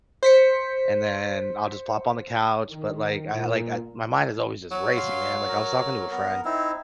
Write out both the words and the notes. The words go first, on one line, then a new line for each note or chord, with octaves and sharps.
and then, I'll just plop on the couch, but, like, I I, like, I my mind is always just racing, man, like, I was talking to a friend,
C5 B6 C#7
D#3
A#2
F#3
F5 C6
A#4
B3 A#4
C4 D#4 E4